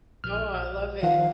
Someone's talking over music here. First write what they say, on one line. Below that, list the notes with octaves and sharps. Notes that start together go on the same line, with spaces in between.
Oh, I love it.
A#1 F6
D#3 F3 F5 F#5